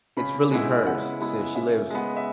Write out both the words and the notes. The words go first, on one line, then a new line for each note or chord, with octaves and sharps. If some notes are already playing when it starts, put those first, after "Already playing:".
it's really hers since she lives
C#3 B5
G#3 B3 E4
C#3 F#5
G#3 B3 E4
C#3 E5
G#3 B3
E5